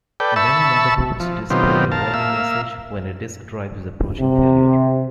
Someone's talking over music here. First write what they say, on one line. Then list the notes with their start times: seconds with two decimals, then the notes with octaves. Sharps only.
Many motherboards display a warning message when a disk drive is approaching failure.
0.20 A4 B4 D5 G5
0.36 E5 A5 B5 C#6 E6
1.20 F3
1.50 B2 D#3 F#3 C4 F4 G4
1.92 A#4 F5 A5
2.14 A#3 E5 F5 E6
4.20 C3